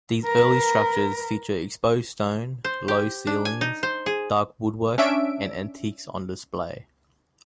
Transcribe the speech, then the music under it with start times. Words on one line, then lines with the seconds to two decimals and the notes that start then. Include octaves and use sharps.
These early structures feature exposed stone, low ceilings, dark woodwork, and antiques on display.
0.25 A#4 B4
2.64 C5
2.88 G4
3.27 D4
3.45 G#5
3.61 D#4
3.83 C5
4.06 G#4
4.98 C#4 D4 E5 D7